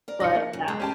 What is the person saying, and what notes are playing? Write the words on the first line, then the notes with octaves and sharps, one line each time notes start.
but, yeah
A#4 D5
D4 D#4 A#6 C#7
A#3
F#2
G#3
C#4 G4 A5